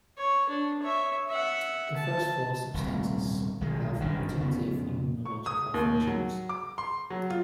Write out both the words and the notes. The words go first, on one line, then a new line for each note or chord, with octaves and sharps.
The first four substances have protective immunological functions.
C#5
D4
C#5 E5
E5 F#5
A5
D#1 C2
B1 D#3 G#3
G1 F#2 D3 D#3
F2 C#3 B3
C#6
D#6
D#2
F#3
D6
C6
F#3
F4